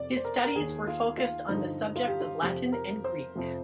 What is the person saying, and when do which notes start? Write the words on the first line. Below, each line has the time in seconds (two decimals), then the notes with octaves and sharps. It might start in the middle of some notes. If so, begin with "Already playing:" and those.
His studies were focused on the subjects of Latin and Greek.
Already playing: F2 C3 D5
0.16 C5
0.25 A#4
0.44 A#4
0.55 D#2 D#3 G#4
0.87 F4
1.18 F4
1.49 G2 D3 F3 D#4
1.96 F4
2.07 G4
2.20 F4
2.42 F2 C3 F3 G4
2.72 A#4
3.04 C5
3.36 F2 C3 F3